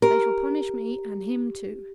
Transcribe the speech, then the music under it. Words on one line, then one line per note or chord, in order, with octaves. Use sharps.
They shall punish me and him too.
G4 A#4